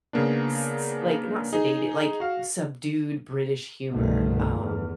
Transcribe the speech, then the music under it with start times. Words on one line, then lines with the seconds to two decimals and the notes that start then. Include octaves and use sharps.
s s like, not sedated like, subdued British humor, um,
0.13 C#3 A#3 B3 D4
1.53 D#4 G#4
2.20 F#4 F5
3.91 G1 C2 B2 D3 D#3 A3
4.58 E2